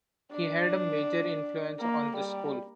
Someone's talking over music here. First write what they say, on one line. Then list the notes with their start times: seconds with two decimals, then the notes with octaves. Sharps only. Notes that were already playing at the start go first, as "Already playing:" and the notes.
He had a major influence on the school.
0.32 D4
1.80 A#3
2.17 G3